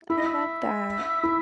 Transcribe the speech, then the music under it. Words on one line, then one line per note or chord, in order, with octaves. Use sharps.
I love that,
E4 E5
D#5
E5
E4